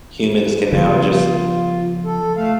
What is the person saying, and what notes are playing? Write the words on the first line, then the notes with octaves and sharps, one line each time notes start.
humans can now, just
C#3 F3 B3 F4
A4
A3 F5